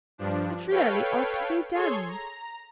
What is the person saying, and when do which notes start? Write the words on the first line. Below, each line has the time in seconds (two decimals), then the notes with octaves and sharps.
It really ought to be done.
0.18 G2 F3 D4
0.70 A4 B4 C#5 F5 G5
1.74 G#4 A4 C#5 C6 G#6
2.08 A#5